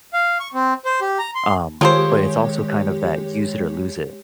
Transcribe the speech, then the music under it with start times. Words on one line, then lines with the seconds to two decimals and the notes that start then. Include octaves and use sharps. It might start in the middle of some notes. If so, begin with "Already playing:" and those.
Um, but it's also kind of that use it or lose it,
0.13 F5
0.40 C#6
0.54 C4
0.85 C5
1.01 G4
1.19 A#5
1.35 C6
1.81 D#3 G#3 F4 G4 A4 C5 C#5